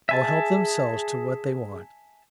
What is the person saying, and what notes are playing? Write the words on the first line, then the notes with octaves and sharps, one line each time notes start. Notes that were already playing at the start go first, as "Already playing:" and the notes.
All help themselves to what they want.
G#4 E5 G#5 A5